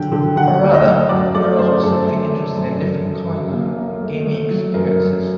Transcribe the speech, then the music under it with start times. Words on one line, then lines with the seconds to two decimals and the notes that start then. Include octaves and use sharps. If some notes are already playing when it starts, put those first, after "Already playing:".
Rather, girls were simply interested in "different kinds" of gaming experiences.
Already playing: D3 F#3 G5
0.12 D3
0.36 D3 F#5
0.62 D2
0.74 D#5
0.86 F#3
1.09 F#2 D5
1.34 A3 D5
1.58 F#2 C5
1.82 F#2 A4
2.07 A3
2.31 A3
2.56 F#2
2.80 F#2
3.05 F#2
3.28 F#2
3.52 A#3
3.77 A#3
4.02 A3
4.26 A3
4.50 F#3
4.74 F#2 A#4
4.99 F#2